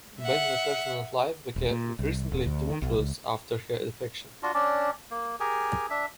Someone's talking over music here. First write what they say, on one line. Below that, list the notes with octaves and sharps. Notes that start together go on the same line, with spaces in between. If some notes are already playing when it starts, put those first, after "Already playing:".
Bentley's personal life became increasingly tumultuous after her defection.
E5 F#5
D#1
A#2
C2
D#1
D2
D#3
B1
C#2
D4 F4 F#4
C#4 D4 D5
A#3
G4 G#4 A#4 G#5
D4 E5